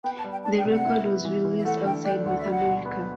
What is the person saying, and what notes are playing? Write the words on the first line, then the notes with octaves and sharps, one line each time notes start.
The record was released outside North America.
B3 G5
A5
G3
G5
D4 A5
G5
C3
F#5
E4
B3
E3
E3
E5
A3 F#5
D3 G5
D4 G5
D2 F#5
E5
G3 F#5
B2
B3